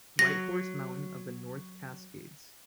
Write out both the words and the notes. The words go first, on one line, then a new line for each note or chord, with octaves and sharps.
Whitehorse Mountain of the North Cascades.
F#3 A#6